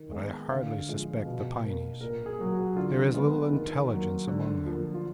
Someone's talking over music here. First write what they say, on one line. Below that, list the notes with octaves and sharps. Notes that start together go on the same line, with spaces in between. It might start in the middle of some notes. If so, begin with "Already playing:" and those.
But I hardly suspect the Pineys. There is little intelligence among them.
Already playing: D#3
G#3 B3
D3 F5
F3 G#3
B2
A#3
A#2 A#4
G#4
F#3 A#3
F#4
D3 F4
G#3 B3
D#3
F#3 A#3
D3
F3 A#3
F4